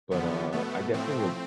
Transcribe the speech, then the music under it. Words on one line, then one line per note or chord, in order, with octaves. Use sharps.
but, uh, I definitely would
F2 D3 F3 B3
B2 A3 B3
A2 F3 A3 C4